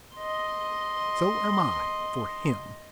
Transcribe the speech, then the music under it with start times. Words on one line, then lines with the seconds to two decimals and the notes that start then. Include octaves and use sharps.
So am I--for him.
0.15 D#5 C6